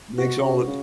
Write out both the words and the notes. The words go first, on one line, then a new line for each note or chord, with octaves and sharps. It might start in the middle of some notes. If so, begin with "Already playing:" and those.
makes all of the
B2 F#4
C#3
C#3